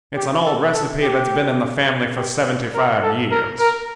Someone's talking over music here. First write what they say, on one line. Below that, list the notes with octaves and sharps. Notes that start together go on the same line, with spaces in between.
It's an old recipe that's been in the family for seventy-five years.
G4
A4
A4
G4
G4
A#4
A4
A#4
A#4